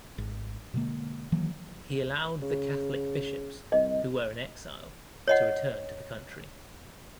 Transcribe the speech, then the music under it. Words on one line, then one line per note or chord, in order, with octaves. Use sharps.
He allowed the Catholic bishops, who were in exile, to return to the country.
G#1
B2 D3 G#3 A#3
D#3 E3 F#3 A#3
C#3
C2 D#5
C#5 D#5 F#5